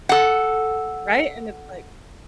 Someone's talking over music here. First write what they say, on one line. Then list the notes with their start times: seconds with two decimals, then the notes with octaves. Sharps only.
Right? And it's like
0.09 A4 F#5